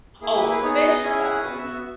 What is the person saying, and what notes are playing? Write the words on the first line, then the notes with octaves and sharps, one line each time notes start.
Oh, fish taco.
A#3 E4 G#4
B4
B4
B3 D#4 G#4 C#5
D#5
D#5
C#4 E4 G#4 G#5
F#5
B3 F#4 B4
E5